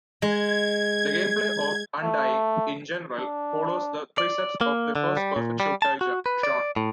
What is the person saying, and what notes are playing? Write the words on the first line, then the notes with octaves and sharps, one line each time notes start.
The gameplay of "Undying" in general follows the precepts of the first-person shooter genre.
G#3 G#6
A3
D4
D5
A#3
D3
G3
A#2
G3
A5
F#4
B4
D5
A2